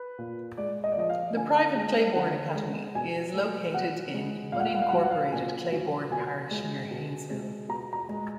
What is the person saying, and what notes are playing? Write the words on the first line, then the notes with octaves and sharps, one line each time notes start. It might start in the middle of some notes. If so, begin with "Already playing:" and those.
The private Claiborne Academy is located in unincorporated Claiborne Parish, near Haynesville.
Already playing: B4
A#2
G#3 D5
D#5
D5
F3 D#5
F5
D3 G#5
G#3
D3 F#5
G#3
B2 G#5
G#3
B2 F#5
G#3
A#2 F5
F#5
F5
F#5
F5
F#5
F#3 F5
F#5
F5
A#2 G#5
F#3
B2 G#5
G#3
B2
G#3
B2 A#5
A#5
G#3